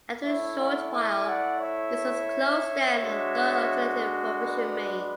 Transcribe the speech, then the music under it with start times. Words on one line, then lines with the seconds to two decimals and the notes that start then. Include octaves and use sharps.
After a short while, this was closed down and no alternative provision made.
0.24 A3 E4 C#5 E5
0.58 D5 F#5
0.92 E5 G#5
1.26 D5 F#5
1.61 C#5 E5
2.98 G#3 D4 F#4
4.36 B4 D5